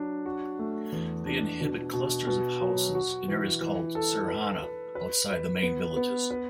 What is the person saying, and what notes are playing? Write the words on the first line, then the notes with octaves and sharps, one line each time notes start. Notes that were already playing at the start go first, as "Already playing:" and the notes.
They inhabit clusters of houses in areas called saharana outside the main villages.
Already playing: F#3 D4
F#4
A3
E2
D4
B2
B2
B2
F#3
F#4
E3
E3
A4
B4
B4
B4
B4
B3
B3
B4